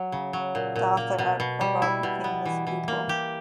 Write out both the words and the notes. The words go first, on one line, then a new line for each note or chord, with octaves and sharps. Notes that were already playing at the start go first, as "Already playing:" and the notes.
The author Abe Kobo became his pupil.
Already playing: F#3
C#3
F#3
A#2
A#2
A#3
B2
B2
G3
E4
B2
B3
E3
E3
A#3
G4